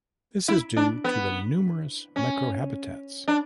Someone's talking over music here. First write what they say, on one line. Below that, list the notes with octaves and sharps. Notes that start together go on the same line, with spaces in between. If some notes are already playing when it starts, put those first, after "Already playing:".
This is due to the numerous microhabitats.
E4
D4
B3
C#4
D4